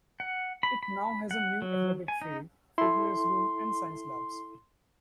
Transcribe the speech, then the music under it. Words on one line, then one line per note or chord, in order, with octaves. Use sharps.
It now has a new athletic field, fitness room, and science labs.
F#5
B5
B5
F#5
F#3
G#5
D#4
E4 A4 C6